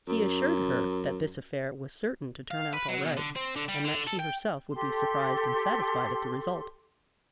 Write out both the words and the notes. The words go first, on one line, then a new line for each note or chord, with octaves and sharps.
He assured her that this affair was certain to turn out all right, and that she herself would be surprised and satisfied at the result.
F#2
F5
B4
F#3
B2
D3
C4
D3
G3
D3
A4
G5
G4 A4 C6